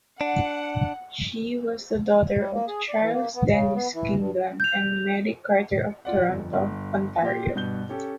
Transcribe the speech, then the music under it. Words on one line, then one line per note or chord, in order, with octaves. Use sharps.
She was the daughter of Charles Dennis Kingdon and Mary Carter of Toronto, Ontario.
D4 F#5
G3
A#3
G#4
D5
E3
A#3
B3
C#3
B3
E3
G2
G6 F7
F4 D5 F#5
G1 F2
G1
A#2 G4
G2 B2 G6 G7
C#4 G4 A4